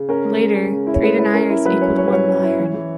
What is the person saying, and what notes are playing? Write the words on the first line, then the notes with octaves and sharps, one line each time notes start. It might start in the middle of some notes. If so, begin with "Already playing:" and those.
Later, three deniers equaled one liard.
Already playing: C#3
C#4 A#4
G#3
C#3
C#4
C#3
E4
C#5
G#3 B4
E4 B4
C#4 A#4
E4
F#3 B4
C#4 C#5
C#4 C#5
B4
F#3 C#5
C#4
E4
E3
E3